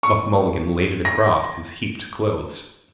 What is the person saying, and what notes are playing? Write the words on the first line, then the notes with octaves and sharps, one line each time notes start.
Buck Mulligan laid it across his heaped clothes.
C#6
A#6